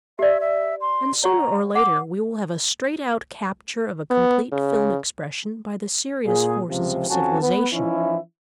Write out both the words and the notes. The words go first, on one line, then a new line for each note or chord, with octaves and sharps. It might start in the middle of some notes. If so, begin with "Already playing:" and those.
And sooner or later we will have a straight-out capture of a complete film expression by the serious forces of civilization.
G4 D5 E5
E5
C6
C#5 F#5 A#5 C#6
F#5 D6
B3
C#3
A#2 G#4
C#2 C3 F3
F2 C#4 F#4 G#5 A5
B3 B4
E3 F3 C#4 D#4 E4